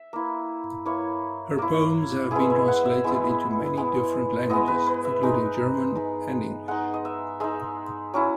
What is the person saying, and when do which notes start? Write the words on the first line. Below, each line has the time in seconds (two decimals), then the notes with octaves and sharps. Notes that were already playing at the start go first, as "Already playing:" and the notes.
Her poems have been translated into many different languages, including German and English.
Already playing: E5
0.13 A#3 E4
0.86 A#3 E4 C#5
1.58 A#3 E4
2.31 G#3 B3 E4 G#4
2.50 E5
2.68 F#5
2.85 E5
3.04 G#3 B3 E4 E5
3.77 G#3 B3 E4
4.49 G#3 B3 E4 D#5
4.68 B4
4.87 B4
5.05 E5
5.23 G#3 D#4
5.95 G#3 D#4
6.68 G#3 D#4 F#5
6.94 D#5
7.05 E5
7.40 G#3 D#4 E5
8.14 F#3 C#4 E4